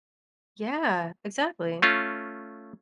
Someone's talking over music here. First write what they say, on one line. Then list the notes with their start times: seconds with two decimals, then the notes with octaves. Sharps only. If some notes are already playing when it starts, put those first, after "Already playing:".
Yeah, exactly.
1.82 A3 C#4 F4